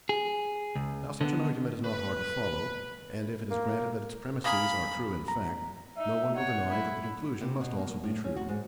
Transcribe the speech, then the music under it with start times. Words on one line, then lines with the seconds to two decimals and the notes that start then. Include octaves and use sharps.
Now such an argument is not hard to follow; and if it is granted that its premisses are true in fact, no one will deny that the conclusion must also be true.
0.09 G#4
0.75 C#2
1.21 D3 B3
1.84 B4
3.51 A#3
4.44 A#3 G#4 A#4 B5
5.28 A#5
5.97 D#4 E5
6.35 C#5 F#5
6.70 E4
7.41 C3
7.61 B2
7.77 A#3
8.04 A2
8.24 C#4
8.36 F#4
8.49 G#2